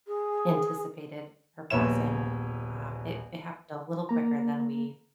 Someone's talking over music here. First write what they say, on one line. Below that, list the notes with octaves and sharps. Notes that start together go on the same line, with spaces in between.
anticipated her passing, um, it it happened a little quicker than we
G#4
D#1 A#1 B3 C#5 E5 E7
A#3 A#5